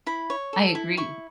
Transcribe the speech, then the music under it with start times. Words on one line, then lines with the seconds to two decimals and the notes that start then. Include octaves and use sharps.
I agree,
0.07 E4 B5
0.30 C#5
0.53 A4
0.75 E4
0.97 E4 C#6